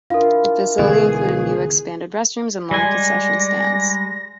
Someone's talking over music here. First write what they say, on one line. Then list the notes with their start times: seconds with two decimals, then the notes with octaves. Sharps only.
The facility included new expanded restrooms and larger concession stands.
0.10 D4 E4 F4 A#4 F5
0.79 C#2 B2 D3 E3 G#4
2.71 G3 G#3 D5 G#5 A#6